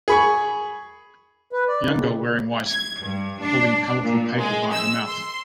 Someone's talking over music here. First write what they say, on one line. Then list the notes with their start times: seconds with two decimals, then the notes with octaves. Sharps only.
Young girl wearing white holding colorful paper by her mouth.
0.08 G#4 B5 C#6
1.52 B4
1.68 D5
1.85 D#3
1.97 C#3
2.67 G#6
3.01 G2
3.42 D4
4.03 A#2
4.39 G#3
4.73 E6
5.07 C6